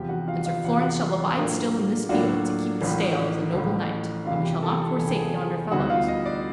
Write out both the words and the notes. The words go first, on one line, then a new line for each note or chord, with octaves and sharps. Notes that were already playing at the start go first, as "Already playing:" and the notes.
And Sir Florence shall abide still in this field to keep the stale as a noble knight, and we shall not forsake yonder fellows.
Already playing: E2 C3 F3 G4 G5
F#4 F#5
F4 F5
F4 F5
E2 C3 F3 F#5
F5
F#4 F#5
A2 F#3 A#3 D4 F4
A2 F#3 A#3 D4 F4 F#4 F#5
A1 A2 F3
A1 A2 F3
E2 C3 E3 F4 F5
G4 G5
A4 A5
A4 A5
E2 C3 E3 G#5
G5
G#4 G#5
D2 D3 G3 B3 D#4 F#4 F#5
F4 F5
D#5
D5